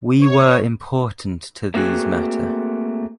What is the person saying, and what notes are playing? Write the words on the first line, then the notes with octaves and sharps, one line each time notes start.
We were important to these matter.
C#5
A3 A#3 C4 F#4 G#4